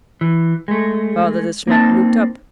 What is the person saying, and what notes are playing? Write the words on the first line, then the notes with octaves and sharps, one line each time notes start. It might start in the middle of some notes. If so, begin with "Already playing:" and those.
Father De Smet looked up.
E3
G#3 A3
A#3 C4 D#4 A5